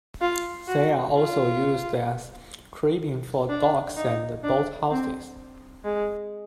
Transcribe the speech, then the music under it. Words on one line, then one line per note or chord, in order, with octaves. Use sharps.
They are also used as cribbing for docks and boathouses.
F4
F#4
F4
D4
D#4
D4
C4
G#3